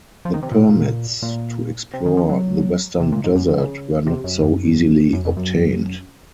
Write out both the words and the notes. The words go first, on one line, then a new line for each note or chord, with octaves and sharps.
The permits to explore the Western Desert were not so easily obtained.
F3
D#3
C3
A#2
A#2
A#2
C3
D#3
F3
F#3
C3
A#2
G#2
F#2
F2
C#3
C3
F#2
F#2
F#2
F2
F#2